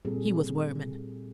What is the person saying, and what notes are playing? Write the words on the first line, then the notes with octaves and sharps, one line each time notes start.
He was wermin!
A#2 G3 C4 G#4 A4